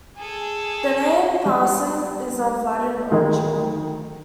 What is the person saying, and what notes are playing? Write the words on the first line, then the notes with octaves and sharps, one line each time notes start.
The name "Parcent" is of Latin origin.
G#4 A4
G3
D2 D#3 A#4